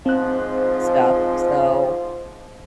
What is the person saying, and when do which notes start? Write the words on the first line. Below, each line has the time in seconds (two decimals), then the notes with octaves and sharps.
stuff so,
0.06 G#2 F3 C4 F#6